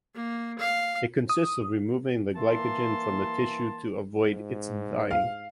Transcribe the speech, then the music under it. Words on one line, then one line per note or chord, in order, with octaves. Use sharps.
It consists of removing the glycogen from the tissue to avoid its dyeing.
A#3
F5
D#6
E3 A#3 A5 C6
G#2
F5